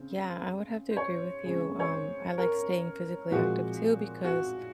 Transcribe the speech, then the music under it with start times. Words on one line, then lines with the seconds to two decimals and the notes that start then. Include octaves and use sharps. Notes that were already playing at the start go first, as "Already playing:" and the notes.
Yeah, I would have to agree with you, um, I like staying physically active too because,
Already playing: C#3 C4
0.91 C5
0.97 C#5
1.44 C#3 G#3 C4
1.80 C#5
1.91 C5
2.38 A#4
3.31 A#2 F3 G#3 C4 F#4
4.25 F#4